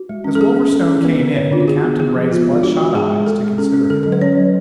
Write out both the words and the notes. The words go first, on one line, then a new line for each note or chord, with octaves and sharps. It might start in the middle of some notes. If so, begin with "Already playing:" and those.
As Wolverstone came in, the Captain raised bloodshot eyes to consider him.
Already playing: F#4
G#3
C#4
A4
C#4 G#4
C#4
C#4 A4
C#4
B3 B4
D3
D3 C#5
D4 F4
F#4
D3 G#4
B3
B3 G#4
F3
B3 F4
G#3
F4
D4 F#4
G#3
G#3 G#4
G#3
G#3 A4
G#3
C#4 A4
C#4
D3 A4
F#3 A4
B4
C#4 C#5
F#3